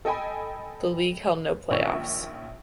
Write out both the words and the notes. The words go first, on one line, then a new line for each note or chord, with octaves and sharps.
The league held no playoffs.
A4 D#5 G5 G#5 B5
A#1 D#3 C#4 E5 C#6